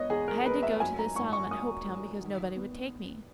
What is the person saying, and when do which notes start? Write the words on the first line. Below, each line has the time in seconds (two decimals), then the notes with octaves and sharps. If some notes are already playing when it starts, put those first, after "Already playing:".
I had to go to the asylum at Hopeton, because nobody would take me.
Already playing: B3 C#5 D#5
0.10 E2 G#4
0.28 A#4
0.45 B3 B4
0.63 E5
0.80 F#2 G#5
0.99 A#5
1.15 G#1 C#6
1.33 C#6
1.51 G#1 D#6
1.86 G#1
2.22 D#3
2.56 B3